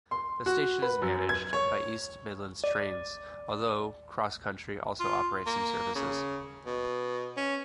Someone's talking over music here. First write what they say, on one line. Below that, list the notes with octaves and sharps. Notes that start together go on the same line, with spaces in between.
The station is managed by East Midlands Trains although CrossCountry also operate some services.
C6
F#4
B4
F#2
G#6
C#5
D5
F4
A#3
C#3
B2
C#4